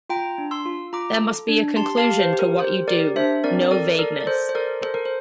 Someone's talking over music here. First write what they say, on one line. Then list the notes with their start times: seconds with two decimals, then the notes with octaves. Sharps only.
There must be a conclusion to what you do, no vagueness.
0.10 F4 G5 A#5
0.38 D4
0.51 C6 E6
0.66 F4
0.93 F4 A#5 D6
1.21 A4
1.48 D4
1.76 G4 A5 C6
1.97 F5 A5
2.04 G4
2.19 C5
2.33 G4
2.39 A#4
2.60 G4 C5
2.88 G4 A#4 D5
3.16 D4 C5 E5
3.44 C4 A#4 D5
3.71 A4 A#4 D5
3.99 A4 A#4 D5
4.20 D5
4.27 A4 C5
4.49 C5
4.55 A4 A#4 D5
4.82 A4 C5
4.94 A#4
5.05 C5